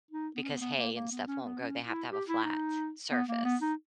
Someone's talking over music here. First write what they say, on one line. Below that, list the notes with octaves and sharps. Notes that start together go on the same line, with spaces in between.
because hay and stuff won't grow, they have to have a flat surface.
D#4
B3
C#4
B3
B3
A#3
A#3
B3
C#4
B3
C#4
E4
G4
E4
D#4
B3
A#3
B3
D#4